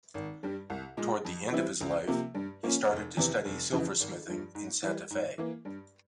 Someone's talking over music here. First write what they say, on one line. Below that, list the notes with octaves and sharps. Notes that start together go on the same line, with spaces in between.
Toward the end of his life he started to study silversmithing in Santa Fe.
G#1
G2 G3
C2
A#2 G#3
F2
E3 G3 C4 E4
C#2
C3 F3 A#3
G2
F3 A#3 C#4
F1
E2 C3 E3
F1
F2 C#3 E3
G#1
G2 F3
G#2
E3 G3
G#2
E3 A#3
G2